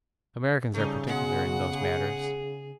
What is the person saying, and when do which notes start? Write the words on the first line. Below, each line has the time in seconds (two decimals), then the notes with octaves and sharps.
Americans are particular in those matters.
0.74 C#3 G3 A3 C#4 D#4
1.07 B2 G#3 F#4 F#5
1.72 G#4